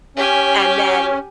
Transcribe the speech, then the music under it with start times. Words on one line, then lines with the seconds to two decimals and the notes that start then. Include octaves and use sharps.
And then
0.17 C#4 G4 G#5